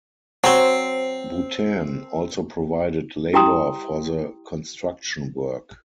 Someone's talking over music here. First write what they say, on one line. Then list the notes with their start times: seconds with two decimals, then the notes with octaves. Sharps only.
Bhutan also provided labour for the construction work.
0.44 F#3 C4 C5
3.34 E4 G4 G5 A#5 C6 D#6